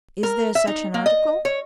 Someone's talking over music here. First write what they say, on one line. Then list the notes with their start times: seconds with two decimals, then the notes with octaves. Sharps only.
Is there such an article?
0.23 A#4
0.55 E5
0.67 D#4
0.94 A#3
1.06 D#5
1.45 C#5